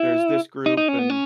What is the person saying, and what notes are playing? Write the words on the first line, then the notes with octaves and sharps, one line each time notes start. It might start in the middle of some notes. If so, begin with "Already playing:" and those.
"There's this group and"
Already playing: E4
D#4
D#4
C#4
B3
C#4